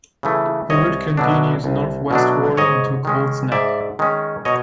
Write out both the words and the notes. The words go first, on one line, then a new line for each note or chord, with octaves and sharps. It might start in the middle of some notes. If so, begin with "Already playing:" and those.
The route continues northwestward into Colts Neck.
C#3 E3 A3
C2 C#5 D#5
B2 F#3 A3 D4
C2
B2 F#3 A3 D4
G#2 C#5 D#5
D#3 G#3 C#4
G#2 D5 E5
D#3 G#3 C#4
B2 C#5 D#5